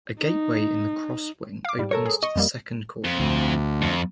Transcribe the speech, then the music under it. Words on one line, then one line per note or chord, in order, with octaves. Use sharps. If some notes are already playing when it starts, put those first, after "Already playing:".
A gateway in the cross wing opens to the second courtyard.
D#4
F5 D6
G#2 G3
A4 A#4 C#5
G#4
D#5 C#6
F2 G3 A#3
F2
D2
F2